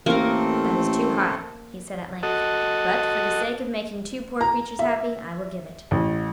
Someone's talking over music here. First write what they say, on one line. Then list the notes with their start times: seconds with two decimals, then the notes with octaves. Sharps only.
"That is too high," he said at length, "but for the sake of making two poor creatures happy, I will give it."
0.06 A1 A3 A#3 C4 A4 A#4
2.23 F#4 A4 D#5
4.41 A#5
4.79 E5
5.91 A1